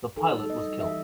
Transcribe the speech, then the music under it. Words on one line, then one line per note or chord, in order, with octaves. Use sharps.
The pilot was killed.
D#4 A4
G3
G3 D#5
G3
E3 E5